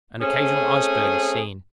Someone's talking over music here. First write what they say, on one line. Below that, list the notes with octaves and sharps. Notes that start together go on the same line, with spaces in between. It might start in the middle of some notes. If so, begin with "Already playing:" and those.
An occasional iceberg is seen.
A3 C4 C#4 G#4